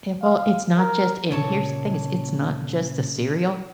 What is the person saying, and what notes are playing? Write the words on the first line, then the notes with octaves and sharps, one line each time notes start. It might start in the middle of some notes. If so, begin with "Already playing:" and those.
It well, it's not just and here's the thing is it's not just the cereal,
F5
A#4
A#2 C#3 A#3 A4 C#5 A5